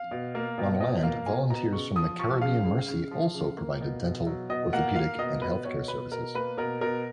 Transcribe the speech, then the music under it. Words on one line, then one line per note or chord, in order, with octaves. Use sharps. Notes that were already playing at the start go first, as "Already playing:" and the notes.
On land, volunteers from the "Caribbean Mercy" also provided dental, orthopedic and healthcare services.
Already playing: F5
B2
A#3
B2
B2 D#5
A#3 F5
B2 G#5
B2 A#5
C#3 C#6
F3 D#6
F3 C#6
C#3 F5
C#3
C#3
F3
C#3
A#3
B2
B2
F#3
B2 D#5
A#3 F#5
A#3 F5
B2 D#5
B2 B4
B2 C#5
B2 B4
B2 A#4
A#3 B4
B2 A#4
B2 A#4